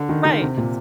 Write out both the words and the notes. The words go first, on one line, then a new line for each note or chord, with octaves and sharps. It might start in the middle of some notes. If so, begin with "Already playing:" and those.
Right, it's
Already playing: D3
D#3
D#3
C3
A#2